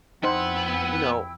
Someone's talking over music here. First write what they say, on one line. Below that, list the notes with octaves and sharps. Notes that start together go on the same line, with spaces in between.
You know,
F2 B3 D#4 E4 C5 F#5 G5 E6